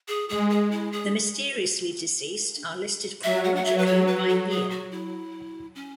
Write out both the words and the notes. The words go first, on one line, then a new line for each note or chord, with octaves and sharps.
The mysteriously-deceased are listed chronologically by year.
G#4
G#3 G#4
G#4
E4
G#4
F#3 E5
F#5
F#5
F#3 E5
B4
C#5
B4
A4
G#4
F#4
E4
C#4